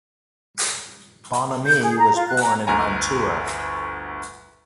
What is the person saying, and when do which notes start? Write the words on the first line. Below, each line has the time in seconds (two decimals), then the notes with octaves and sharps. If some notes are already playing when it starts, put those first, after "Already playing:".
Bonomi was born in Mantua.
1.66 G6
1.83 G#4
1.98 A#5
2.14 F4
2.28 F#6
2.42 A#5
2.67 G1 D2 G#5 A#5